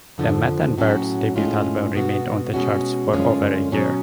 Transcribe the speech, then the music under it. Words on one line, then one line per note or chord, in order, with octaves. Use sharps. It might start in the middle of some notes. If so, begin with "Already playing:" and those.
The Mutton Birds debut album remained on the charts for over a year.
F2 D3 F3
A2 F#3 C#4 F#4
A2 G#3 C#4 F4
B2 G#3 B3 F#4
B2 G#3 C#4 F#4
F#2 D3 G#3 C#4 F4
B2 F#3 C#4